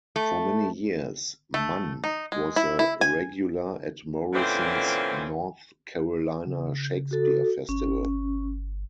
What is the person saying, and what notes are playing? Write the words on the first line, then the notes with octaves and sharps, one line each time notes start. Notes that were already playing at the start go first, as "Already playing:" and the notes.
For many years Mann was a regular at Morrison's North Carolina Shakespeare Festival.
A3
A3
D#4
G#3
E4
E4
G#5
A#2 D3 E3 C4 C#4 C5
C#3
F#4 A4
G1 C#4